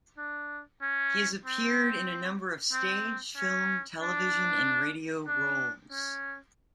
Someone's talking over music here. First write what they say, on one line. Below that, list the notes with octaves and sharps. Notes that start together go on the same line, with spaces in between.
He has appeared in a number of stage, film, television and radio roles.
D4
C#4
C4
C4
C#4
D4
D4
C#4